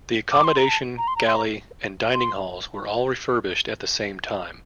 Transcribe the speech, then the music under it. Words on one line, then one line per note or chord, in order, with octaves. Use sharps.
The accommodation, galley and dining halls were all refurbished at the same time.
D6
C6
A#5
A5
A#5
C6
A#5
C6
A#5
C6